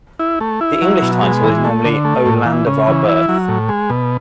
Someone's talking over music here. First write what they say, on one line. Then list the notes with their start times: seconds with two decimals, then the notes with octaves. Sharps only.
The English title is normally "O Land of Our Birth".
0.19 E4
0.40 A3
0.61 E4
0.82 F#3
1.02 B2
1.22 G#3
1.43 E3
1.64 A3
1.85 D3
2.05 A3
2.26 A2
2.45 E3
2.66 C#3
2.87 E3
3.08 E4
3.29 F#3
3.48 A2
3.69 G#3
3.90 B2